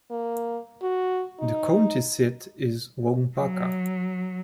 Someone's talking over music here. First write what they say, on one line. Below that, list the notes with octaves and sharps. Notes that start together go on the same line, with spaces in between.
The county seat is Waupaca.
A#3
F#4
D#4
F#3